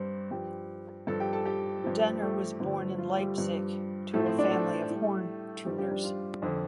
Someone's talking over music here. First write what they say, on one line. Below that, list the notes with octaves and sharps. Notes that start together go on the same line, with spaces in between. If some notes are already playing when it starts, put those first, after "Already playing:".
Denner was born in Leipzig to a family of horn-tuners.
Already playing: G2 G3 C4 C5
G2 F3 G4 G5
G2 F3 A4 A5
G4 G5
A4 A5
G4 G5
G2 F3
A3 A4
G2 D3 F3
F4
G3 G4
G2 F3
A2 F3 A3 A4
C4 C5
D4 D5
A3 A4
A2
G3
G2 F3 G3 G4
G3 G4
D4
F4
F2 D3 F3